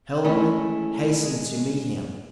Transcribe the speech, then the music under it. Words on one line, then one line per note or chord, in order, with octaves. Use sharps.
Helen hastened to meet him.
G#3 A3 C#4 E4
G#3